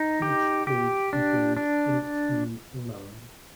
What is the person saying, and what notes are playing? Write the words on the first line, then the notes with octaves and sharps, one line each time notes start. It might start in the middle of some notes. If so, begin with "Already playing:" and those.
Each page contains eighteen lines.
Already playing: D#4
G4
G4
D4
D4